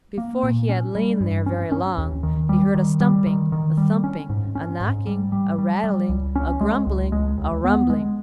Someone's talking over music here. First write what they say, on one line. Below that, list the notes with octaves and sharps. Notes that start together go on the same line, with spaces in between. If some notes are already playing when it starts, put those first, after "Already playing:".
Before he had lain there very long he heard a stumping, a thumping, a knocking, a rattling, a grumbling, a rumbling.
A#3
A#2
C#4
G3
G2
C#4
C#4
D#2
D#3
G3
D#3
G3
D#3
D#3
G3
C#4
G#2
C#4
G#2
G3
G3
G3
G3
C#2
C#4
G#3
C#2
G#3
D#2
B3
G#3